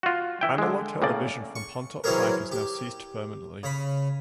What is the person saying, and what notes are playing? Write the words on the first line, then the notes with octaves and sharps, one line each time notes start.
Analogue television from Pontop Pike has now ceased permanently.
F4 F#4
E3 E4 G5
D3 G#3
A2 C#3 A#3 D5
C#6
E3 F#3 C4 C#4 G#4 A#4
G4
C#3 B5